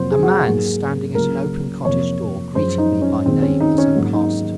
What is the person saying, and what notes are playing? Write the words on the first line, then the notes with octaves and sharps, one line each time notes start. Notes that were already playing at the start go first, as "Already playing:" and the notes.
A man standing at an open cottage door greeted me by name as I passed.
Already playing: F2 C3 F#3 A#3 C5
G#4
F#4
G#2 F#3 A#3 G#4
C#2 C#3 F#3 A#3 A#4
F2 C3 F3 A#3 C#5
F#2 F3 G#3 C5
D#4
C#4
D#2 D#3 G#3 C4
C#4
D#4
C#4
G#2 F#3 A#3
D#4